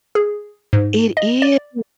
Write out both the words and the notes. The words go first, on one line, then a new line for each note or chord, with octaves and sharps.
It is.
G#4
G#2
D#5
D5